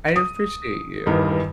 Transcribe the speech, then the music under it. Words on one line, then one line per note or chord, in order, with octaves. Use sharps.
I appreciate you.
D#6
E2 G2 D#3